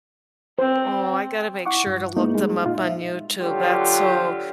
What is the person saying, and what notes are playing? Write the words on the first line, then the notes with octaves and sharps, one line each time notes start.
Oh, I gotta make sure to look them up on YouTube, that's so
C4 C5
E4 F#5 C#6 D6
G2
G#3 A#3 B3 D#4 E4
G3 G#3
A#2 D#4 F4
E5
D3 F#3 F4 G4